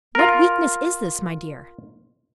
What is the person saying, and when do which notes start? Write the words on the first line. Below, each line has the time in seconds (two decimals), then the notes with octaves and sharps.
What weakness is this, my dear!
0.15 F4 A#4